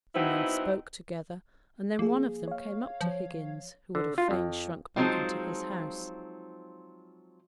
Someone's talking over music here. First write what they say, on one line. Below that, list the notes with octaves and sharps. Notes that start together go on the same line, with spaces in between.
The men spoke together, and then one of them came up to Higgins, who would have fain shrunk back into his house.
F3 F#3 B3 C4 D#4 E4
F3 A#3 G#4
C#5 F5
F3
D3
F4
F2
F3 F#3 G#3 C4 D#4 F4